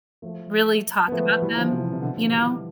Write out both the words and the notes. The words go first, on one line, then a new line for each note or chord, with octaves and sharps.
really talk about them, you know?
F3 A3
B3
F3 A3
E3 G3
D3 F3
C3 E3
C3
B2 D3
D3 F3
E3 G3